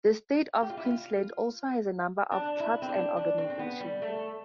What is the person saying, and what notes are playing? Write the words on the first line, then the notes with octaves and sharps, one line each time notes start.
The state of Queensland also has a number of clubs and organisations.
G4
F4
E4
F4
D4
E4
C4
D4
D4
C4
C4
B3
G3
A3